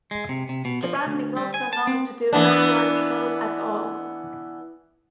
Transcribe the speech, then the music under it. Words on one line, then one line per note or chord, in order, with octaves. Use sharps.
The band is also known to do no live shows at all.
G#3
C3
C3
B2
F3
C#4
D2
G3
G#5
A5
C4
E3 B3 D4